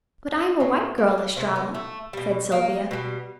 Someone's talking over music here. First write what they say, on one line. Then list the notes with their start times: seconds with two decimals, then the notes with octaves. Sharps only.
"But I am a white girl, Estralla," said Sylvia.
0.60 A2 F#3 A3
0.98 A#3
1.08 D4
1.18 D4
1.36 C3 D#3 G#3 C4
1.56 B3
1.75 A3
2.13 B2 G3
2.52 A#3
2.91 B2 G3